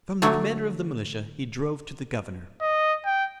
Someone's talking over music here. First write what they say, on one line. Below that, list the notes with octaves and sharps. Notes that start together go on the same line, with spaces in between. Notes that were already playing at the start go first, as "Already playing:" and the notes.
From the commander of the militia he drove to the governor.
D3 F#3 A3
D#5
G5